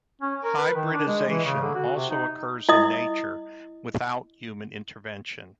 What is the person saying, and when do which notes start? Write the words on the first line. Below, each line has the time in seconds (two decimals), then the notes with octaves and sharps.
Hybridisation also occurs in nature without human intervention.
0.21 C#4
0.43 A#4
0.58 B4
0.75 D#3
0.93 D4
1.07 G#3
1.29 E3
1.45 C#3
1.62 D3
1.75 F#4
1.95 C3
2.11 D#4
2.69 E4 D#5 D#6